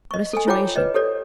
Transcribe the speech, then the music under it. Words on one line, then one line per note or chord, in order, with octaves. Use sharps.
What a situation!
D#5 C#6
A4 G#5
E4 F4 C#5 F#5 G5 D6
B4 C#5 D#5
G4 A4 C#5 D5